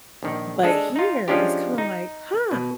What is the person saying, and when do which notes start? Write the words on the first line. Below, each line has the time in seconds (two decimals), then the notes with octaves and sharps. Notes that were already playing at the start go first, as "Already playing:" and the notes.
but here it's kinda, like, "Huh,
0.23 A#1 D#3
0.63 G#3 D4 A4
0.96 D#4 F4
1.28 F3 G#3 C#4 D4 F4 G4
1.78 D#4
2.51 B2